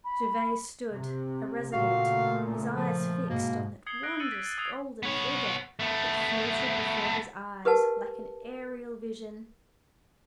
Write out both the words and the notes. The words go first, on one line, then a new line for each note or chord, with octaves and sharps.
Gervase stood irresolute, his eyes fixed on that wondrous golden figure that floated before his eyes like an aerial vision.
B5
C3
A#2 C#3 A3 F#4 F5
F3
G#2 B2 A#3
D#6 G#6 C7 C#7 F#7 G7
F#6 A#6 D7 G7
E6 F#6 A6 C#7 D#7 F#7
B6
A6
D#6 E6 G#6 C7 F7
B3 C#5
A3 B3
G4 A#4 B4 F#5 A5